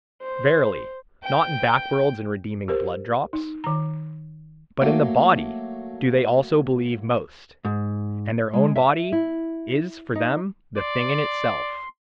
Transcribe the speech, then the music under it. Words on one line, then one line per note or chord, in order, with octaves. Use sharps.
Verily, not in backworlds and redeeming blood-drops: but in the body do they also believe most; and their own body is for them the thing-in-itself.
C5
G5
G4 A#4 C5
D#4
D#3 A#5
F#3 A3 A#3
G#2
G#3
E5
E4
D#4
D5 C6